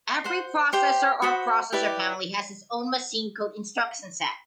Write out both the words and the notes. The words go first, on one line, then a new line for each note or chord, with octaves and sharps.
Every processor or processor family has its own machine code instruction set.
C5 F#5 C6
G4 C5 G5
F#4 C5 F#5 B5
E4 G4 B4 D5